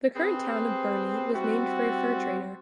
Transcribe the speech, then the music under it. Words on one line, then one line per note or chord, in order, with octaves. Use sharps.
The current town of Birney was named for a fur trader.
C4 G4 G#4 B4 C5
G3 C4 E4 F#4